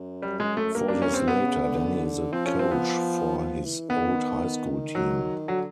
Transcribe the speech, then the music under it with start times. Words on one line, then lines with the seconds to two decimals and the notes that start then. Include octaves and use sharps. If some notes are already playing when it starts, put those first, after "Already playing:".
Four years later, Danny is a coach for his old high school team.
Already playing: F#2
0.22 G3
0.40 G#3
0.57 A3
0.75 G2 A#3
0.88 D4
1.02 C#4
1.14 C4
1.28 C3 B3
1.45 C#3
1.63 D3
2.33 F3 C4
2.46 C#4
2.59 C4
2.71 B3
3.38 F3
3.64 E3
3.89 D#3 B3
4.95 F#3
5.48 D3 F#3